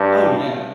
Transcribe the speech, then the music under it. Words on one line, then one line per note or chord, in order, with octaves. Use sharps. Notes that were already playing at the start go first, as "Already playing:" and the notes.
Oh, yeah.
Already playing: G2